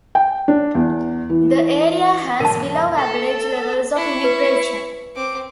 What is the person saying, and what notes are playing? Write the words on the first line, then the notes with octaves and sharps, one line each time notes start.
The area has below average levels of immigration.
G5
D4
E2
E3
B1 E2 A#4 A5
A4
E4 C#6
B4
C4 D6